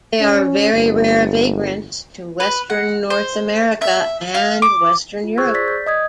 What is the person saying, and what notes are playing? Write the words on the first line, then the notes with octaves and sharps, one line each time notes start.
They are very rare vagrants to western North America and western Europe.
C#4
G1
B4
F#5
C5
E5
F5
D6
F4
G#4 C5 C#6 E6 F#6 G#6
D5 A6 B6
G6
D#5 D#6 G#6